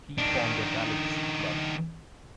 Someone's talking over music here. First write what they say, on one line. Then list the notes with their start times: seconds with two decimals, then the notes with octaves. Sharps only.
He formed a Ballads Club.
0.18 D#3 D4